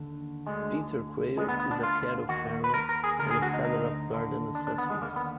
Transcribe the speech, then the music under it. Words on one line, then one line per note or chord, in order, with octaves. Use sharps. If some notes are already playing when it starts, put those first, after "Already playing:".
Peter Quail is a cattle farmer and a seller of garden accessories.
Already playing: D#2 D3
D2 D3 G#3
D2 D3 G#3
B3
B3
D4
F4
D#2 D#3 F#4
B4
A#4
A#4
G#4
D2 D3 A#4
G#4
F#4
D#4
D#4
D#2 D3
D4
D4
B3
G#3
D#2 D3 A#3
B3